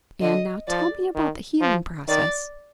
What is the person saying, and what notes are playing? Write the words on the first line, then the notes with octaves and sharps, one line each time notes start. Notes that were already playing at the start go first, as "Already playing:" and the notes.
"And now tell me about the healing process."
D3 D#5
F3 D5
D#3
F3
D#3 D5